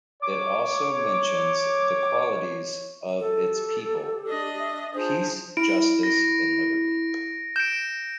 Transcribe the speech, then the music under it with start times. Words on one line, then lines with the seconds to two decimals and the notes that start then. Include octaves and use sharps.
It also mentions the qualities of its people: peace, justice, and liberty.
0.22 C#5 D6
3.20 A4
3.54 G4
4.28 D4 D#5
4.58 E5
4.94 D4 F4 G#4 C5
5.57 E4 D7
6.03 A#6
7.56 G6 D7 E7